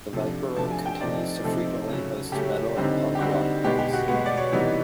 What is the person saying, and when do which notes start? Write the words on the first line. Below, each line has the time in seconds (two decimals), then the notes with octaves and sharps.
The Viper Room continues to frequently host metal and punk rock bands.
0.13 C3 F3 A3 D4
0.56 C3 F3 A3 D4 A5
0.71 G#5
0.86 G5
1.00 C3 F3 A3 C4 D#4 D5
1.44 C3 F3 A3 C4 D#4 A4
1.88 C#3 F#3 A3 C#4
2.32 C#3 F#3 A3 C#4 G4
2.76 D3 G3 C4 D#4
3.15 G4
3.20 D3 G3 C4 D#4 F#4
3.64 B2 G#3 B3 G4
3.79 G4
3.93 F#4
4.08 B2 G#3 B3 F#4
4.26 D5
4.37 C#5
4.52 C3 E3 G3 B3 D#4